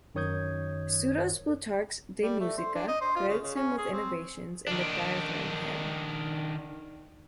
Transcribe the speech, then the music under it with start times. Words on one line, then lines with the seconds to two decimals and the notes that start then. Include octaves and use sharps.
Pseudo-Plutarch's "De Musica" credits him with innovations in the dithyramb hymn.
0.15 F#2 D#3 C#5 D#6 G6 G#6
2.22 G3
2.40 A3
2.57 C5
2.75 D4
2.88 D#5
3.01 C5
3.16 F4
3.28 C#3
3.43 C#3
3.56 C#4
3.78 G#4
3.92 C4
4.67 D#3 D4